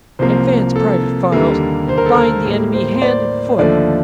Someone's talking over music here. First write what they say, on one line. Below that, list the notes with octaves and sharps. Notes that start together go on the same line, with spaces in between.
"Advance, Private Files, and bind the enemy hand and foot!"
C2 C3 F3 A#3 C5
A4
D#2 D3 G3 A#3
C5
A#4
A4
A#4
A2 G3 A#3
C5
C5
D5
D#2 D3 F3 A3 D5